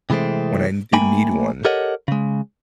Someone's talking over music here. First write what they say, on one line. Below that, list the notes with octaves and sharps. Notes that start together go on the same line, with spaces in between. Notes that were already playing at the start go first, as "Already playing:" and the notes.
when I n did need one.
C3 E3 G#3 A3 C4
A3 A#3 G5 G#5 B5
G4 A4 A#4 C#5 D#5 F#5
C#3 G#3